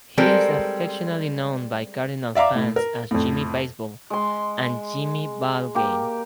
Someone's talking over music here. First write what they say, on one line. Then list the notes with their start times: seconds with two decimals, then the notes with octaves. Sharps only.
He is affectionately known by Cardinal fans as "Jimmy Baseball" and "Jimmy Ballgame".
0.18 G3 G#3 C4 A4 A#4
2.35 D5 E5 F5 A#5 D6
2.56 A2
2.76 A#4
3.11 F2 A2
4.10 G#3 C6
5.75 A#3 G4